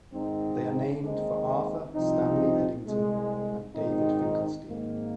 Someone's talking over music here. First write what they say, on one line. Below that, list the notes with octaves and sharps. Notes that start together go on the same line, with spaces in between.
They are named for Arthur Stanley Eddington and David Finkelstein.
G#2 D#3 C4 D#4
D#2 D#3 G#3 C4 D#4
C2 C3 F3 C4 D#4
C2 C3 G#3
G#2 D#3 C4 D#4
G#1 G#2 D#3 A#3